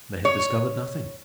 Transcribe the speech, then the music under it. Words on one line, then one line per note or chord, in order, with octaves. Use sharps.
They had discovered nothing.
C#5